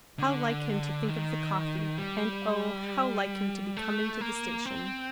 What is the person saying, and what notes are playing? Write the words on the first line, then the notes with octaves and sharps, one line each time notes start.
How like him to think of the coffee; and oh, how like him to be coming to the station.
D3
D#3
G3
A3
A#3
C4